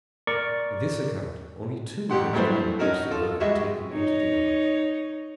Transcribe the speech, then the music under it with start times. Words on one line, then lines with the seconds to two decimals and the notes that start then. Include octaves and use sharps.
In this account only two of each kind of beast and bird are taken into the ark.
0.27 A#4 D5 C#6
2.10 A1 G4 F#5 C6
2.33 G2 E3 F#3 A3 A4 C5
2.79 C#4 D#4 F#4 A#4
3.11 F4 A4
3.40 G3 G#3 F#4 D#5 E5 C#6
3.91 D#4 C#5